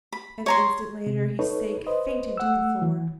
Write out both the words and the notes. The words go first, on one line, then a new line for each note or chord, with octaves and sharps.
An instant later he sank fainting to the floor.
B5
C#5 A#5 C6
C3
D#4 A4 B4 C#5
B4 C5 D#5
A3 F#5 E6
E3